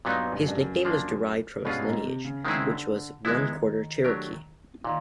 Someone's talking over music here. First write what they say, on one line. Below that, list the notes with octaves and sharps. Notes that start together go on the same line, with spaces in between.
His nickname was derived from his lineage, which was one-quarter Cherokee.
G2 A#2 F#3 B3 D#4
G2
F#2
G2
F#2
F3 A#3 D4
G2 B2 G#3 C#4 F4 G#4
A2
G#2
C3
C#3
D3 D#3 G#3 C4 E4 G#4
C#3
D3
D#3 G#3 B3 E4
F#3 A3 D4 G4 A#4
A#2 D#3